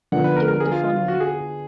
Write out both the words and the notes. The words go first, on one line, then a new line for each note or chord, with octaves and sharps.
Do it the fun way.
D3 F3 B3 F#5
B4
A#4
A#4
G#4
F4
F4
F4
F#4
G#4